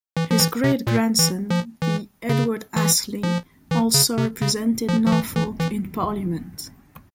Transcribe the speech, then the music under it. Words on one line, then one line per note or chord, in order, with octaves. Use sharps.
His great-grandson, the Edward Astley, also represented Norfolk in Parliament.
E3
F3
E3
C3
A#2
E3
F3
E3
C#3
E3
F3
E3
C#3
C3
C#3
F3
F3
E3
E3
E3